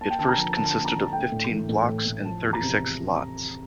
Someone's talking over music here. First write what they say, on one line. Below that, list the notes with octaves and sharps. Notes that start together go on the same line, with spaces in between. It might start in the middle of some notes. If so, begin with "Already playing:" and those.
It first consisted of fifteen blocks and thirty six lots.
A#3 A5
G5
D3 A5
A#5
F3
D3 A5
A5
A#3
A#5
D3 A5
A3 G5
A2
E3
A2
A3
A2
F3 A5
E2
A#5
C3